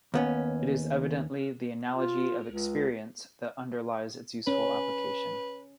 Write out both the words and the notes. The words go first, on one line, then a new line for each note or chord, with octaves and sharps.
It is evidently the "analogy of experience" that underlies its useful application.
D#2 B3 C#4
F4
C#2
C#4 B4